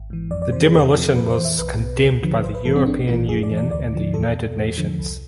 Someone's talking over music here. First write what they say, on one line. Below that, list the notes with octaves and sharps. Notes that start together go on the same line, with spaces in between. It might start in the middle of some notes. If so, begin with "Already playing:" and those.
The demolition was condemned by the European Union and the United Nations.
Already playing: G#1
G#2 E3
F2 D5
D5
C3 E3 C5
G#4
E2 A4
C3 F3
F2 B4
C5
E3
E5
B1 B4
B2
D2
D3 F3
A1 C5
B4
G#2 F3 A4
C4
A1 D4
A2 E3 F4
F2 G#4
D5
E3
D5
D2 D5
D3 F3
E2 A4
B2
E2
D3 F3
C2